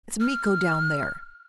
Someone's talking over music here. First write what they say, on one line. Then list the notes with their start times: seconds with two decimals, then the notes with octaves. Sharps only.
It's Miko down there!
0.20 F6